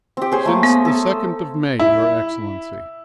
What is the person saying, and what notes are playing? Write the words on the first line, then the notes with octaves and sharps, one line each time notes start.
"Since the second of May, your Excellency."
C4 G4
G#4 C5 C#5
A3 A#3
B3 D#6
A4
E4